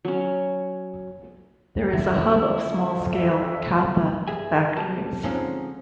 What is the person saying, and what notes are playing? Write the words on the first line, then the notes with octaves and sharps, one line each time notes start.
There is a hub of small scale Katha factories.
F#3 C#4
F2 D3 E4
D4 E5
G2 G#4 E5 G#5
C2 G3 A5
D3 F3 G#3 C4 C#4 D#4